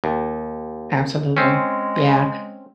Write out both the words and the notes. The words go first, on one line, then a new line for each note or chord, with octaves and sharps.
Absolutely. Yeah.
D#2
G#3 C4 C#4